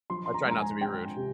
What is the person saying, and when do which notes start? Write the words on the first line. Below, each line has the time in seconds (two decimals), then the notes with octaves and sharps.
I try not to be rude.
0.10 F3 C6
0.26 C6
0.34 A#5
0.45 G#3
0.51 A#5
0.58 G#5
0.81 C4 G5
1.17 C3